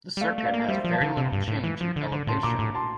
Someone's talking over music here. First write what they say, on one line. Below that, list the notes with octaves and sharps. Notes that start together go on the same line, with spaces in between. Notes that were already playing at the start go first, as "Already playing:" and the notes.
The circuit has very little change in elevation.
G3
A3 D5 F5
A3
D5 F5
A#3
G3 C5 E5
F3
F5 A5
D3
C3
G2
A2
E3
F3
D3
D3
A2 A5 C6
A#2 A#5 D6
A2
A5 C6